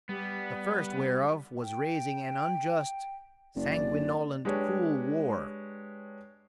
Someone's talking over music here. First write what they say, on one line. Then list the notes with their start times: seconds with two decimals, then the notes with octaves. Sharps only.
The first whereof was raising an unjust, sanguinolent, cruel War.
0.09 G3 B3
1.61 G5
3.56 F#1 D5
4.45 G#3 D4 G4 B4 C#5